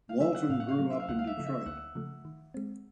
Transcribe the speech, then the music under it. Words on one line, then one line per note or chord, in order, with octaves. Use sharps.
Walton grew up in Detroit.
F5
F#3 A3 E5
F#5
A2 F5
F#5
F5
F#3 A3
E5
F5
D2 F#5
F5
E5
C#3 F3 A3
E5
D2 F#5
C#3 F3 A3
D#3
G#3 C4